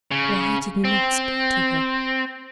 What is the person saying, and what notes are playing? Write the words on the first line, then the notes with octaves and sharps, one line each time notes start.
Why did he not speak to her?
C#3
C4